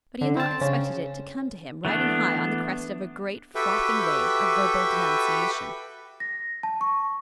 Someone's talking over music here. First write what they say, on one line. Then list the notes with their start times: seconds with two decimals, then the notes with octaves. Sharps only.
But he had not expected it to come to him riding high on the crest of a great, frothing wave of verbal denunciation.
0.21 D3
0.37 C4 A5
0.61 C#3 C#4
1.85 E3 A3 B3 D4
3.55 F#4 G4 A4 B4 E5 G5
6.20 A#6
6.63 A5
6.81 C#6